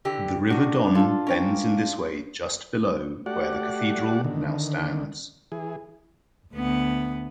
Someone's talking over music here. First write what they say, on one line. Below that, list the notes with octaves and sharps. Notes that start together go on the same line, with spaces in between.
The River Don bends in this way just below where the Cathedral now stands.
D3 E3 G4
D#3 D4 F#4
F4 A4 A5
C#4 A#4 G5
A3 F#4 G4 D5 F#5
D3 D#3
E3 G#4
D2 B3